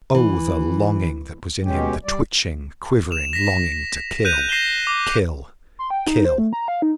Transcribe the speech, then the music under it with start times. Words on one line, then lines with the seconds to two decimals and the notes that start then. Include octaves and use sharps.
Oh, the longing that was in him, the twitching, quivering longing to kill--kill--kill!
0.15 E3
1.64 B2 G#3 C#4 G4
2.05 G3 D5
3.11 E7 F7
3.33 A#6 B6
4.25 F#6 G6 D#7 F7
4.49 A#6 C7 D#7 E7 G7
4.87 D6
5.79 C6
5.90 G5
6.07 D#4
6.25 C5
6.38 A3
6.53 A#5
6.68 F5
6.82 D#4